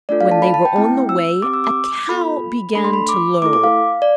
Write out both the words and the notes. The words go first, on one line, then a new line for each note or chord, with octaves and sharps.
When they were on the way, a cow began to low.
A3 D4 F4 A4 D5
F5
A5
B5
A5
G5
A3 C4 E4 G5
E6
C4 G4 D6
E6
D6
B3 F4 A4 B5
A3 D4 A4 B5
C6
B5
D6
A3 E4 A4 D6
D6
F5
D5